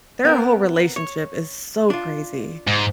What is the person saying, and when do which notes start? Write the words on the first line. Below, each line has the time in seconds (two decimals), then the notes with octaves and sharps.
Their whole relationship is so crazy.
0.25 B3 C4 A#4
0.96 C#5
1.90 D4 F4
2.67 G#2